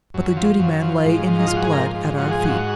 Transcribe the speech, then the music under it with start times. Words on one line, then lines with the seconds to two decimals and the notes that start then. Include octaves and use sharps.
But the duty man lay in his blood at our feet.
0.14 F#2
0.37 F3
0.59 F#2
0.82 F3
1.05 G#2
1.27 F3
1.39 D#4
1.48 G#2 F4
1.56 F#4
1.64 G#4
1.72 F3 A#4
1.95 G#2
2.17 F3 F#4
2.31 G#4
2.40 G#2
2.45 F#4